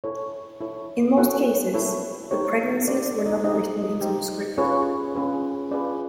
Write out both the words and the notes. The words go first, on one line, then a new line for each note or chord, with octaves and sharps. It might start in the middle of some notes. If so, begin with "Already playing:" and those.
In most cases, the pregnancies were not written into the script.
E4 A4 C#5
E4 A4 C#5
E4 F#4 A4 C#5 F#5
E4 A4 C#5
D#4 G4 C5 C#5
D#4 G4 C5 D5
D5
D5
D#4 D#5
D#4 G4 C5 D#5
D#4 G4 C5
C#4 F4 G#4 B4 C#5
C#4 F4 G#4 B4
C#4 F4 G#4 B4 D5